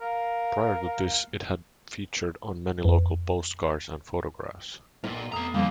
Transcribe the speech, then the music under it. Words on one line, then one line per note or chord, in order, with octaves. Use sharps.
Prior to this it had featured on many local postcards and photographs.
A#4 F5
F2
B1 A#2
F1 B3 A#5 D#6
F2 D3 F3 G3 A#3 F4